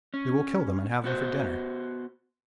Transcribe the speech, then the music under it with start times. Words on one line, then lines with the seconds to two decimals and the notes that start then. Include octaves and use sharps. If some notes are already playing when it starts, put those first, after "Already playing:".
We will kill them and have them for dinner.'
0.14 C#4
1.04 B3 F#4 C5